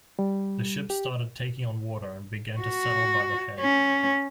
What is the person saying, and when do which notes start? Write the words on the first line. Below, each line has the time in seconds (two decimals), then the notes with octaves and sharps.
The ship started taking on water and began to settle by the head.
0.19 G3
0.90 G4
2.61 F#4
3.60 C#4